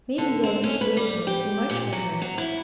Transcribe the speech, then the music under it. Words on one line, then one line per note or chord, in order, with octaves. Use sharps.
"Maybe the initiation was too much for her."
D3
C4
C#4
B4
G3
G4
A#2
F#3
F#3
E4